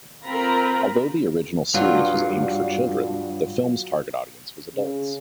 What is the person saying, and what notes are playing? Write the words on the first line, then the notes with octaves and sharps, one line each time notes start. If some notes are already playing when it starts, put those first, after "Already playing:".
Although the original series was aimed for children, the film's target audience was adults.
C4 F4 A#4 A#5 B5
G2 F#3 F4
C#3